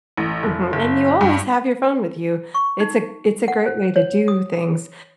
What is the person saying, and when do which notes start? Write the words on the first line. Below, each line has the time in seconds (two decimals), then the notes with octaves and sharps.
Mhm, and you always have your phone with you. It's a it's a great way to do things.
0.17 A1
0.43 F1
0.73 F#1
1.21 G2
2.54 C#6
2.80 D#4
3.48 F#5
3.66 C5
3.96 C#5
4.28 D#6